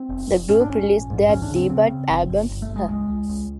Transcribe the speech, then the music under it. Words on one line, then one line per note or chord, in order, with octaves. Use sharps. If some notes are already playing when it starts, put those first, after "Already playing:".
The group released their debut album Huh!?
Already playing: C4
F1
F1
G#2 C#4
D4
A#1 C#4
A#1
G#2
D2 C#4
D4
C#3
C4
C#3 C4
C#3
G1
G1
G1
A3
G1
G#3
C#2 G#3
C#2
C#2